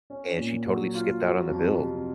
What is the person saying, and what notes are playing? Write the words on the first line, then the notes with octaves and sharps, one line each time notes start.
and she totally skipped out on the bill,
C#4
A#2
F#3
F4
F#3
F2
C3